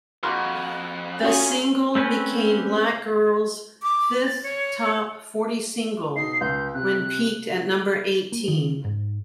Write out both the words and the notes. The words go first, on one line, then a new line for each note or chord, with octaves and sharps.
The single became BlackGirl's fifth Top forty single, when peaked at number eighteen.
F2 A#3 F#4 B5 C6 F6
C#4 F4 F#4 G#4 C#5
A3 C4 C#4 B4
D6
A6
C#5
B2 D#4 C7
C#2 G6
C3 F#6
A#3
D#3
G#2